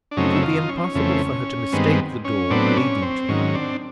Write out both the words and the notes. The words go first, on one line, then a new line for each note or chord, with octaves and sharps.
It would be impossible for her to mistake the door leading to them.
D4
F#2 C#3 F#3 A3 C4 C#4 D#4
E4
D#4 F4
C#4
C4
C#4
F2 C#3 E3 A3 C4
G2 D#3 G#3 B3 C4
C#4
A2 F#3 B3 C4 D4
C#4
C4
G#2 D#3 F#3 C#4
C4 D4